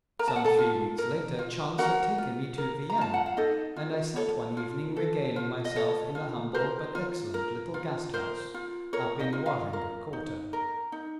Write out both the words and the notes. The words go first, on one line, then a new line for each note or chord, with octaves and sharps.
Some three weeks later chance had taken me to Vienna, and I sat one evening regaling myself in a humble but excellent little Gasthaus up in the Wahringer quarter.
A#4 A#5
A5
F#5
A4 A5
F4
A#4
F4
F#4 A#4 F#5
F4
A#4
A#5
F4 A5
F#5
F5
D#4 A4 D#5
F4
A4 C#5
F4
A4
F4
D#5
A4 C#5
F4
A#4 C5
F4
A#4
F4
A#4 C5
F4
A#4 C#5
D#4 D#5
F4
F4 F5
A#4
D#4
A#4
D#4